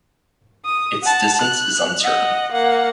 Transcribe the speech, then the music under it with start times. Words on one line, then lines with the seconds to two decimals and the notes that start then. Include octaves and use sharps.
Its distance is uncertain.
0.65 D#6
1.04 F#5 A5
1.41 F#6
2.01 D#5 F#5
2.52 A#3 F#5